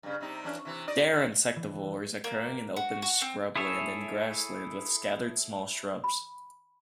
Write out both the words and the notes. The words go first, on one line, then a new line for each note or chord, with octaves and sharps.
They are insectivores occurring in open scrubland and grassland with scattered small shrubs.
G2 C#3
C3 G3 D#4
E2 C#4 D4
C3 E3
D#4 D5 D#5
D#3
E3
A#3
F#4
F#4
C4
E4 G#4 A4 C#5 E5
B5